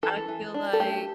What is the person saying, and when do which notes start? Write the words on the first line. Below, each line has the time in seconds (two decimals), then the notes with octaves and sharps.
I feel like
0.03 E3 A4
0.29 E3
0.54 D4
0.73 A4
0.80 A3 G4